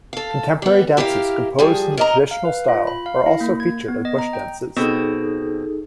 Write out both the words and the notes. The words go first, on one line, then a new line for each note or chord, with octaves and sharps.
Contemporary dances, composed in the traditional style, are also featured at bush dances.
A4 F5
G3 B3
E4 G4 A#4 D5 F5
F3 G3 G#4
A#4 D#5 A#5
F5
B4
F4
B5
F5
E4
A#3
G#6
B3
D#5
A#5
G5
B2 C4 D#4 G#4 A4